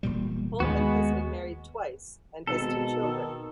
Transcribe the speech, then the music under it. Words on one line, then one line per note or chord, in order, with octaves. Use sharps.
Holman has been married twice and has two children.
E1 A#2 G3
D#2 D#3 G#3 B3 F#4
G#1 B2 A4
D#3